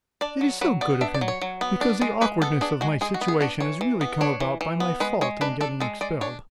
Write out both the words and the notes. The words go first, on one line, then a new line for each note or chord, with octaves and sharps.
It is so good of him, because the awkwardness of my situation has really come about by my fault in getting expelled.
D4 D5
F#3
F#3 B4
B3 D5
D4 E5
D5
F#3
C#5
F#3
B3
D4
G#3
G#3 B4
B3 A4
D4 G#4
G#3 F#4
G#3 G#4
F#4
B3
G#4
D4 F#4
E3 C#5
E3
B3
D4 C#5
E3
E3
B3
G#3 B4
G#3 C#5
D4 B4
D4 A4
G#3 A4
G#3 D5
D4 C#5